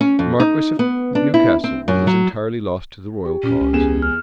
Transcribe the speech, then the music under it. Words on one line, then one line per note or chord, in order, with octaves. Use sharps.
The marquis of Newcastle was entirely lost to the royal cause.
C#4
F2
D#4
B3
D4
E4
C4
F#2
F#3
G4
A#2 C#4
C#2
E2 G#4 E7
F6